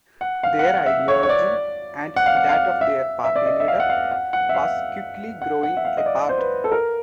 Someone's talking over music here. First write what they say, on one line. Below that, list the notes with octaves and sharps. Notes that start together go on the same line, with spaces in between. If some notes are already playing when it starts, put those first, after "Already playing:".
Their ideology and that of their party leader, was quickly growing apart.
F#5
F5
F#5
F5
E5
C#5
C#5
D5
F#5
F5
F#5
F5
E5
E5
D5
D#5
E5
F5
F#5
F5
F#5
F#5
E5
F5
F#5
F#5
E5
F5
D#5
D5
C5
B4
A4
A#4